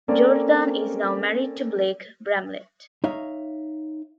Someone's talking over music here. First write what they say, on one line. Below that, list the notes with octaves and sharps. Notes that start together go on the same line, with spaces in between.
Jordan is now married to Blake Bramlett.
A#3 C4 C#4 A4 A#4 D5
D#4 C#5 E5 F5